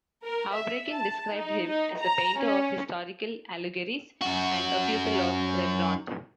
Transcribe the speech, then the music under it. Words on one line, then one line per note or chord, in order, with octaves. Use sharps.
Houbraken described him as a painter of historical allegories and a pupil of Rembrandt.
A#4
E5
A5
D#4
D#4
A#5
C#4
F#2 F#4